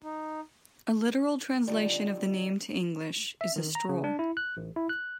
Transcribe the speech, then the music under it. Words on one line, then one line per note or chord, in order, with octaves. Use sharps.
A literal translation of the name to English is "a stroll".
D#4
E2 D3 F3 G3 D#4
E5
D#3
A#5
C#3
D4
E4
F#6
A1
E4
F#6